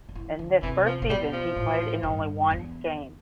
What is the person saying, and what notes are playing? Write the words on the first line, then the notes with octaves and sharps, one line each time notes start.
In this first season he played in only one game.
D3
E3
D3
C3 E3
F3
A2
B2 G3
F3
A2
G2
E2